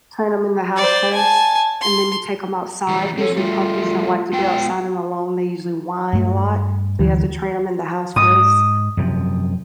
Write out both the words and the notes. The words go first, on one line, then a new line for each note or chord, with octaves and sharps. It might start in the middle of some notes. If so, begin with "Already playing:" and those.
train him in the house first, and then you take 'em outside, usually, puppies don't like to be outside and alone they usually whine a lot, so you have to train 'em in the house first
C5 D5
G#5 A5
C6
E3 G3
C4 A4 C#5
G3 A3 F4
G#3 B3 G5
G2 A3
D2 E3 F#3
G#2 D#6
F#2 C3 F3